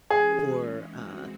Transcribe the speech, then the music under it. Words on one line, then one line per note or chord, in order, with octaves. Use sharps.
or, uh
E3 G#3 C#4 G#4
E3 G#3 C4 F#4